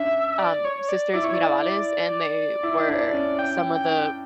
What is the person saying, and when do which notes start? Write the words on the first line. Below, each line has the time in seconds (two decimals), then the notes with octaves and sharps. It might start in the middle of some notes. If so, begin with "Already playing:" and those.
um, Sisters Mirabales, and they were some of the
Already playing: C#4 D4 E5
0.39 D5
0.65 C#5
0.89 D5
1.13 E4 D5
1.24 C#5
1.34 D5
2.63 E4
2.88 D4
3.13 C#4
3.39 G5
3.75 G5